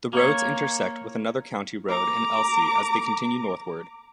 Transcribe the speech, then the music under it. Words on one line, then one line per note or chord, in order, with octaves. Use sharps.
The roads intersect with another county road in Elsey as they continue northward.
A#3 C#5
A#5 D6